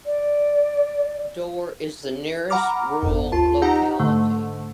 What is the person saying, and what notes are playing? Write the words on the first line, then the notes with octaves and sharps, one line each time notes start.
Dor is the nearest rural locality.
D5
F#5 A#5 B5 D6 F6
G1 F2
D#2 F4 A5
C4 D#4 G4 D#5 F#5 A#5
G#2 D3 A3